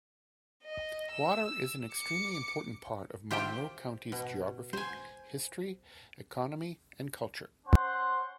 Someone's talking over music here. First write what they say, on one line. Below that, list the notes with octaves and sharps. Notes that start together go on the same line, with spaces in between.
Water is an extremely important part of Monroe County's geography, history, economy, and culture.
D#5
E6
D6 C#7
F4 G4 C5 E5 G5
B2
C5 G#5
C#4 C5 F#5 C6